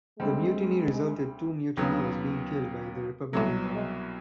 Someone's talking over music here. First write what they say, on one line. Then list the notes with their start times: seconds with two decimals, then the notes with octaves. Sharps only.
The mutiny resulted two mutineers being killed by the Republican Guard.
0.20 D2 D3 G3 G#3 C4
1.77 D#2 C#3 F#3 B3
3.33 C2 B2 F#3 A3
3.74 G#3